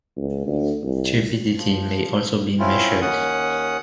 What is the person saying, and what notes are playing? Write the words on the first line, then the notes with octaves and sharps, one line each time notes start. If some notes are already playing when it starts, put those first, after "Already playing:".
Turbidity may also be measured.
C#2
D2
C2
F3
C4 C#4 E4 F4
D#2 C#4 F#5 D#6